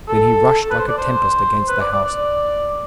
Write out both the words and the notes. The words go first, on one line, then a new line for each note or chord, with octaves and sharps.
Then he rushed like a tempest against the house.
A4
A4
B4
C5
D5
C5
B4
D5
D5
D5